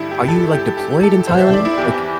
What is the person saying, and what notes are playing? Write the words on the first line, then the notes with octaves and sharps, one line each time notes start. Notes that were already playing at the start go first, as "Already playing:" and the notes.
Are you, like, deployed in Thailand? Like
Already playing: G2 D3 E4 G4
G4
A4
G4
G4
A4
C5
E5
D5
E4
E2 E3 G4